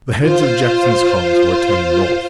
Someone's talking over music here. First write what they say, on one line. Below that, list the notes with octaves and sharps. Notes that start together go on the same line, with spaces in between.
The heads of Jackson's columns were turned north.
F4 C5